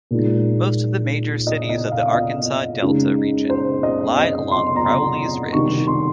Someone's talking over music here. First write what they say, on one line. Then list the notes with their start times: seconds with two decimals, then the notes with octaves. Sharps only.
Most of the major cities of the Arkansas Delta region lie along Crowley's Ridge.
0.11 A#2 G#3 D#4
1.47 D#5
1.69 D#5
1.92 F5
2.15 D#5
2.82 C#3 G#3 D#4
3.50 C5
3.83 D#5
4.18 D#5
4.51 C6
4.76 A#5
4.85 C6
5.53 C3 D#3 G3 C#6
5.87 C6